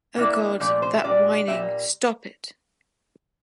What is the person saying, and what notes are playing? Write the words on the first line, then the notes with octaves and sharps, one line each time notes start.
Oh, God, that whining. Stop it!
D3 G3 A#3 E4
A#2 F3 A3 D5
C5
E5
A#2 G3 D4 F4 D5
A#2 G3 A#3 E5